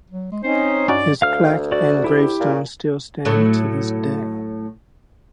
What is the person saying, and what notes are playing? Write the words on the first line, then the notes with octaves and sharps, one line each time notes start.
His plaque and gravestone still stand to this day.
F#3
G#3
C4 C#4 D#4 C5
G2 C#4 D#4 F#4 D5
D2 F5 F6
F#4 D5
E4 G4
A#2
A2 F#3 A3